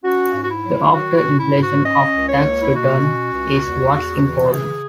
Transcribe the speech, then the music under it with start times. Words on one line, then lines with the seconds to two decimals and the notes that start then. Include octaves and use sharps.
The after-inflation, after-tax return is what's important.
0.04 C#4 F#4
0.35 G#2
0.43 F#4
0.50 E4
0.64 F#3
0.94 D#3 F#4
1.16 F#4
1.24 C#4
1.38 E4
1.53 G#2
1.61 F#4
1.84 C#4 D#5
2.13 C#2
2.28 C#5
2.44 A#3
2.61 E4
2.74 B2 F#4
3.03 C#4
3.33 C#2
3.63 E2
3.92 E2
4.23 E3
4.52 C#3 G#4